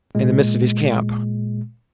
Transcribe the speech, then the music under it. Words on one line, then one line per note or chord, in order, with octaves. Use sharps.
"In the midst of his camp."
A#2 G#3